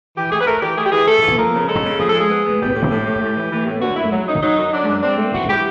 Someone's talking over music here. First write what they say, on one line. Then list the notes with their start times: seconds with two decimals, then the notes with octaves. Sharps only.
The main title were created by Renegade Animation.
0.16 E3 G4
0.31 A3 G#4
0.40 B4
0.46 A3 A#4
0.62 E3 G4
0.77 A3 G#4
0.85 G4
0.92 E3 G#4
1.07 A3 A4
1.22 E3
1.38 F3 A#4
1.54 C#3
1.68 G#3 A4
1.83 C#3
1.99 F3 G#4
2.09 G#3 A4
2.19 G#4
2.29 B3
2.45 B3
2.59 A2 G4
2.74 A2
2.90 A2
3.05 A2
3.21 A2
3.36 E3
3.51 E3
3.66 A2
3.82 D3 F#4
3.96 F#2 E4
4.12 F#3
4.27 F#2 D#4
4.42 F#3 D#4
4.57 F#2
4.73 F#3 D4
4.87 F#2
5.03 C4 D4
5.18 A3
5.34 E3 F#4
5.49 E3 G4